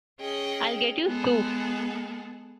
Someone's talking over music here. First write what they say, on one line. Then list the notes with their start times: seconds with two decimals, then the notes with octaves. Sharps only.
I'll get you 'Souf'!
0.20 C#4 G#4 D#5 G5
1.07 G#3 B3 G#4 A4